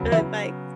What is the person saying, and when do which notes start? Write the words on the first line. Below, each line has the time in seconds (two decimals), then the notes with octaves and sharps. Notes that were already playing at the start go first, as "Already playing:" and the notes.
Alright. Bye.
Already playing: C#3 F#3 B3
0.12 E3 E4